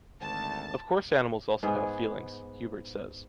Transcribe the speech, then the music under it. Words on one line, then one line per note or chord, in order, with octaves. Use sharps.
Of course animals also have feelings” Hubert says.
G#1 D2 A5
G#2 B3 G#4